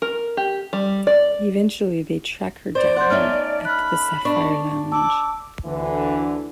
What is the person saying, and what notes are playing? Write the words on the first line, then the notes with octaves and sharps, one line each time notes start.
Eventually, they track her down at the Sapphire Lounge.
A#4
G4
G3
D5
C5 D5
C5 F#5 C6 G6
A3 C#4 D#4 F6
B5 F6 F#6
D4 C#6
A5 D6 E6
D2 D3 E3